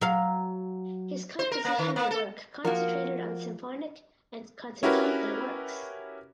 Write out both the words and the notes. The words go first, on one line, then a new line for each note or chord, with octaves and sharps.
His compositional work concentrated on symphonic and concertante works.
F#3 F5
C5
A#4
A#3
D#3
A#3
A4
F3 A#3 F#4 A#4
C#4 E4 F#4 G4 A#4 B4